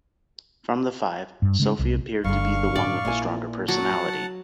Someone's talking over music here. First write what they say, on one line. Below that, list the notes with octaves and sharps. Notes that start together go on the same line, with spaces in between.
From the five, Sophie appeared to be the one with the stronger personality.
G2
C#3 G#3
C2
G1 G2 D3 F5 C#6
A2 D5
A#1 A#2 E4 G#5
F#3 F#5 A5